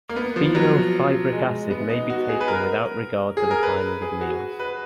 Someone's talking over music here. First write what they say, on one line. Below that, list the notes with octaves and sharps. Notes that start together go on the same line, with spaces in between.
Fenofibric acid may be taken without regard to the timing of meals.
A#3
B3
F3
F#3
G#3
B3
D#4
F#4
G#4
B4
A#4
G#4
A#4
B4
G#4
F#4
B4